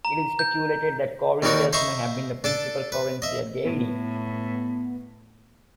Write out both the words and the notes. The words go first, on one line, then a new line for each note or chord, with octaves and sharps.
It is speculated that cowrie shells may have been the principal currency at Gedi.
A#5
G6
D#2 G3 A#3 D#4 F#4 F#5
C5 D#5 E5 A#5 B5 C#6
D4 A4 A5
B4
D#5 E5
A2 B3